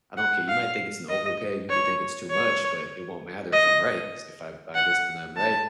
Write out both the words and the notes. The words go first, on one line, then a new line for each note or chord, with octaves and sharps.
I don't care you might think it's an overpay, you could think it's too much, but it won't matter if I'm right." 'Cause if I buy this and I'm right
F#5
F5
D#5
C#5
C#5
D#5
F#5
A5